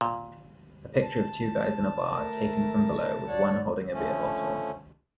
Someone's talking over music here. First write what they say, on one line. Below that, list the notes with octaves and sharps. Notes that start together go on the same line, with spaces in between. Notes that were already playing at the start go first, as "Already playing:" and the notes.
A picture of two guys in a bar taken from below with one holding a beer bottle.
A#2
A5
A3 A#4
C#5 D5 F#5
D3 F3 A3 C#4